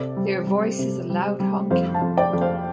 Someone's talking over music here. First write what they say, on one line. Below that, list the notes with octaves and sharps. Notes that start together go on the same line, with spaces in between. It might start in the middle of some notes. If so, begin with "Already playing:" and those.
Their voice is a loud honking.
Already playing: C3 A4 D5
G3
G3
C3
G3
G3
F2 C5 F5
F5 A5
F2
D5 G5
F2
C5 F5